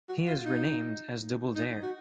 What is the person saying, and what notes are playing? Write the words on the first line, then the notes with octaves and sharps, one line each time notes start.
He is renamed as Doubledare.
F#4
F4
D#4
D#4
F#4